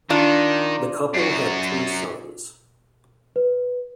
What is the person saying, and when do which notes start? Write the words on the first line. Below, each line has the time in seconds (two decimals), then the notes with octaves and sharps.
The couple had three sons.
0.10 D#3 D4 F4
1.14 F#2 F#4
3.36 B4